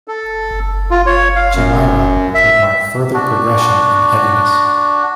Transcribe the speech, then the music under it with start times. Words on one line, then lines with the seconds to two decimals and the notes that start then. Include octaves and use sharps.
"Chimaira" would mark further progression in heaviness.
0.08 A4
0.91 F4
1.06 C#5
1.36 F5
1.55 F#2
2.34 E5
3.14 D4 F#4